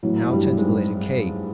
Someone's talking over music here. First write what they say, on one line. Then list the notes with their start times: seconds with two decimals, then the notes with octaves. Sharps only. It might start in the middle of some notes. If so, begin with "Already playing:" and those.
Now turn to the letter k.
0.03 A2 E3 F#3
0.30 G2 G3
0.58 G#2 G#3